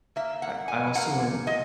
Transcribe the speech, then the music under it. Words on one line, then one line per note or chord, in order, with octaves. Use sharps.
I I also
A#3 E5
A#3 F#5
A#2 G#5
A#3 F#5
A#2
A#2 D#5